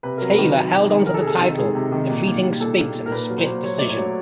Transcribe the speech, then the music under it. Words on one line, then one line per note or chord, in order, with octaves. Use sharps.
Taylor held on to the title, defeating Spinks in a split decision.
C3 B4
F#3 A#4
B4
D#3
F#3
F#3
D#3
D#3 A#4
A4
G#4
C3 A4
D#3
G#3 G#4
C3
D#3
A#2
A#2
G3
A#2 A4
A#2
A#2
A#4
A#2 B4
F#3
C5
A#2
F#3 C#5
A3 D5
C#5
F#3